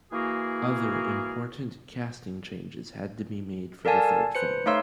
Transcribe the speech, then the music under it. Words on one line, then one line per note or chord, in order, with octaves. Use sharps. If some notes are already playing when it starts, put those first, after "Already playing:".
Other important casting changes had to be made for the third film.
E3 A#3 F#4 G#4 A#4
A4 A#4 D5 F5 G#5 A5
B4 C5 C#7
A3 D#4 C#5 F5 C6 E6